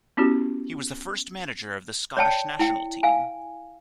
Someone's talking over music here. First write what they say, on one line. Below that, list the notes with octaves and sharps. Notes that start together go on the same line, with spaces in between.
He was the first manager of the Scottish national team.
B3 C#4 E4 F#4 G4
C#5 D5 G5 A5
E4 G5
F5 G#5